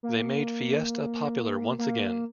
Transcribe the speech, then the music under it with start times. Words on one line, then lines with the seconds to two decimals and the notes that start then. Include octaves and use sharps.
They made Fiesta popular once again.
0.03 A#3
1.79 A#3